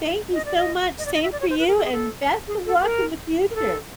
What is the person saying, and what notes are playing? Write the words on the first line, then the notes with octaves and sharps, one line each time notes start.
Thank you so much. Same for you, and best of luck in the future.
D#5
D5
D#5
D#5
D5
D#5
E5
D5
C#5
C5
B4
A#4
A4
G#4
A4
G#4
A4
A#4
A#4
A4